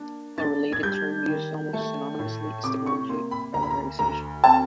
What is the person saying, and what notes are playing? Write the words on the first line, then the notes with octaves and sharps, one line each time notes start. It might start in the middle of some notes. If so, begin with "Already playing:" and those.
A related term, used almost synonymously, is "technology valorisation".
Already playing: A#3 D4
D4 A6
G#6
G3 G6
D#3
A3
A2
C3 D6
C#6
A#3 C6
B5
D2 A#5
B5
A#5
D2 A#5
C4 A5